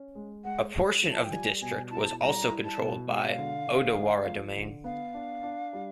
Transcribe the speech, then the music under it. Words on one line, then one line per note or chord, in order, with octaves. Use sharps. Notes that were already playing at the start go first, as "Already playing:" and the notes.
A portion of the district was also controlled by Odawara Domain.
Already playing: C#4
G#3
G#3 F#5
G#3
F3
A5
G5
G3 G#5
B2 G#5
E4 A5
A#5
A5
G3 A#5
E4
A5
B2
G#3 F5
F#5
F5
D3
D3
G#3
F3
D3
B3 F5
D4
D4
G3